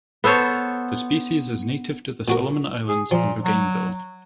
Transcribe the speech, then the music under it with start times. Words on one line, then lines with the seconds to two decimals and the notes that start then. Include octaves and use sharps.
The species is native to the Solomon Islands and Bougainville.
0.24 B3 A4 C5 C#5
2.28 A#2 F#4 A#4
2.89 G#4
3.11 A#2 F3
3.45 F#3